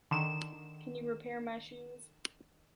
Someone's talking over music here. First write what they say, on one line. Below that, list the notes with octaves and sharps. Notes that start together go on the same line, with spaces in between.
Can you repair my shoes?
D3 D#3 E7